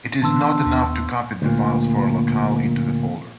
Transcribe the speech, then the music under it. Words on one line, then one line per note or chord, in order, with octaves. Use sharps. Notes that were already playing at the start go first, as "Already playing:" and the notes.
It is not enough to copy the files for a locale into the folder.
D3 E3 B3 D4 C6 E6
D#2
D2 A#2